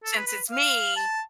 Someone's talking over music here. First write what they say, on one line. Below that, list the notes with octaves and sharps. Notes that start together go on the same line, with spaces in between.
since it's me,
A4
B4
B4
F5
A5